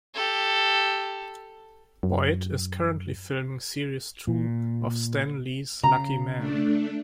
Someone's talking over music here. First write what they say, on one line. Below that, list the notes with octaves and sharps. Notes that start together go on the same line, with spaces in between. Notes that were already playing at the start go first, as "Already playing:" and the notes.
Boyd is currently filming series two of Stan Lee's Lucky Man.
G4 A4
F#2
A#2
C#3 A#5
A3 D4